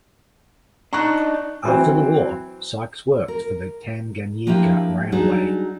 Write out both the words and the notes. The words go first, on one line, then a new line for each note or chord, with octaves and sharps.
After the war, Sykes worked for the Tanganyika Railway.
D4 D#4 A#5 C#6 F#6
E3 F#3 C4
A#4
F3 A#3 D4 E4 F4 G4
F#3 G3 D4 D#4 G#4